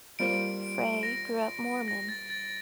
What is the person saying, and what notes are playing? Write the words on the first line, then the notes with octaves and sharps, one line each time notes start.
Frey grew up Mormon.
G3 A#3 F4 C5 D7
A#6
A#6
A6
A6